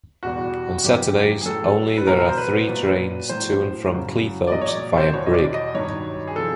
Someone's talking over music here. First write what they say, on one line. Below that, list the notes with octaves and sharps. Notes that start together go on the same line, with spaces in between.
On Saturdays only there are three trains to and from Cleethorpes via Brigg.
E2 B2 G3 F#4
F#2 C#3 E3 G4
G#4
A2 F#3 A4
B4
B2 F#3 A#4
C5
B4
A#2 F#3
A2 F#3 C5
F#2 C#3 F#3
D5
A#2 F#3 D#5
C#5
D5
C5
E2 B2 G3 C#5
D#5
D5
D#5
G2 D#3 F#3 C#5
G#4
C3 F3 A4